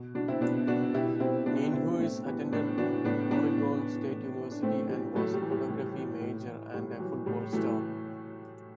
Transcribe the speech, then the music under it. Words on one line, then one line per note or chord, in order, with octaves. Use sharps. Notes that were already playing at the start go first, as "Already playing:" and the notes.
Nienhuis attended Oregon State University and was a photography major and a football star.
Already playing: B2
B2 D4 F#4
C4 E4
B2 B3 D4
B2 D4 F#4
B2 E4 G4
B2 C4 E4
B2 B3 D4
D4
B2 C4 E4
A2 A3 C4
E3 G3 B3
A2 B3 D4
E3 D4 F#4
A2 B3 D4
E3 B3 D4
A2
E3
A2
E3
D4
A2 A3 C4
E3 G3
A2 F#3 A3
G3
E3
G3
A2
E3
A2
E3
A2 G3
E3 F#3
A2 G3
E3 F#3 A3